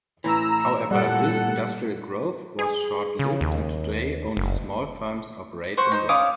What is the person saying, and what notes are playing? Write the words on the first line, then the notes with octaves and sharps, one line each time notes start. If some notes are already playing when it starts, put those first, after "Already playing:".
However, this industrial growth was short-lived and today only small firms operate in Roches.
A2 E3 A#5 E6
A#2 G3 A4 F#5
G#4
C#3
D#2
F#1
C5 F#5 C#6
D#4 C5
C#4 F5 D6 D#6